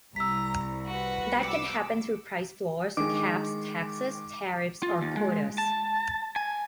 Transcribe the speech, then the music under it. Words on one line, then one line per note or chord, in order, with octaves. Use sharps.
That can happen through price floors, caps, taxes, tariffs, or quotas.
C2 A#5 E6 B6
F#4 B4
D6 E6 C#7
D#3 G#3 D6
F4
D#2
G#3
A5
G#5